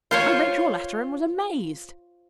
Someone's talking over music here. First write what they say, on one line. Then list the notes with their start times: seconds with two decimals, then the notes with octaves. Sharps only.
I read your letter and was amazed.
0.11 F4 C5 C#5